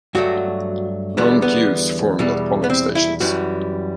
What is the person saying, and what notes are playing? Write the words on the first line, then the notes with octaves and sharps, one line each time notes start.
Long queues formed at polling stations.
G2 F#3 A3 F#4
E2 D3 G3 B3
B3
E2 B2 G3
B3
C4
E4
F#2 E3 G3 F#4